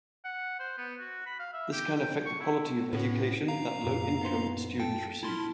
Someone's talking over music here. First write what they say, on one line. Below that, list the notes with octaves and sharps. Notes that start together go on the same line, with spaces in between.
This can affect the quality of education that low-income students receive.
F#5
C5
B3
F#4
B5
F5
E5
G4
G5
C#6
E4
A2 B3 C#4 F#4
F5 A#5
F#2 A#2
B3 D#4 C5
A4 G5
E4 A5 B5 C6 F6